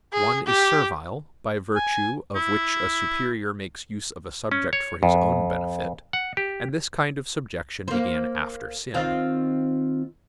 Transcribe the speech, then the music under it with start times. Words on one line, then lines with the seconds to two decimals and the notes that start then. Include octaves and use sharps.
One is servile, by virtue of which a superior makes use of a subject for his own benefit; and this kind of subjection began after sin.
0.13 G#4
0.47 G4
1.75 G#5
2.35 E4
4.52 C#4
4.73 C#5
5.03 F2
6.13 F#5
6.37 G4
7.88 A#3 C5
8.94 D#3 C4 F4